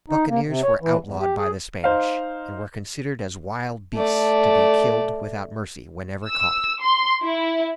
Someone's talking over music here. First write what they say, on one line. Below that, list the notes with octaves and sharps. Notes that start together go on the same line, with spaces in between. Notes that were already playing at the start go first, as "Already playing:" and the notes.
Buccaneers were outlawed by the Spanish, and were considered as wild beasts to be killed without mercy wherever caught.
D#4
A#3
C3
C#5
E3
E2
G4
G#4
D#4 C5 F5
A3 D5
E6
C6
E4